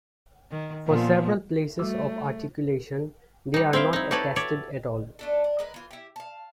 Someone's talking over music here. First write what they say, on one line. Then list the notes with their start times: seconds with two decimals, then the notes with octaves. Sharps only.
For several places of articulation they are not attested at all.
0.51 D#3
0.87 A#2 F3 B3
1.79 G3 A3 F#4
3.54 G3 D#4
3.73 C4 E4 E5 F5 G5
3.93 D#4 E4
4.11 F#4 G4 A4 B4 C#5 D5
4.36 C#5 D5 E5
5.19 A3 D4 A4
5.44 D4
5.59 G#3 A#4 B4
5.74 E3 F4
5.91 E4 G4
6.16 F5 A5